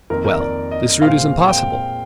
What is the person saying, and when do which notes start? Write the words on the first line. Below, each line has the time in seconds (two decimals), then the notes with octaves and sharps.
"Well, this route is impossible."
0.10 F2 D#3 A#3 A#4
0.25 A#4
0.41 D5
0.71 D#5
1.02 A#2 G#3 C4 F5
1.48 G5